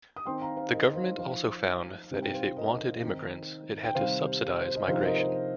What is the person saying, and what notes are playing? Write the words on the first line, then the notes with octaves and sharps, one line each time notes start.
The government also found that if it wanted immigrants it had to subsidise migration.
D#6
D#3 C4 D#4 G5 C6
F5 A#5
C5 F5
A#4 D#5
C5 F5
F3 D#4 C5 F5
C3 G3 C4 D#4
G5
C5 F5
A#4 D#5
D#3 C4 D#4
G5
C3 D#3 G3 C5 F5
C5
D#5
C3 F3 C4 D#4 C5 F5
A#4 D#5
C5